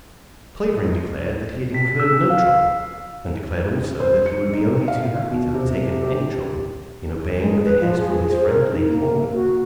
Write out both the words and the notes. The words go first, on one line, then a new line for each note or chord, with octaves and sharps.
Clavering declared that he had incurred no trouble, and declared also that he would be only too happy to have taken any trouble in obeying a behest from his friend Lady Ongar.
B6
E6
F5
C5
C#7
D#4
F5
B2
C3
G4
G#3
B4
F3
G#4
C5
A#4
D#4
A#3
F#4